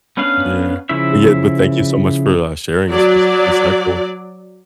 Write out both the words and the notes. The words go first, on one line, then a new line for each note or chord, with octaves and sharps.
yeah, but yeah but thank you so much for, uh, sharing it's it's insightful.
B3 C#4 D4 B4 F5
C#3 F3 E4 E5
F#3 D5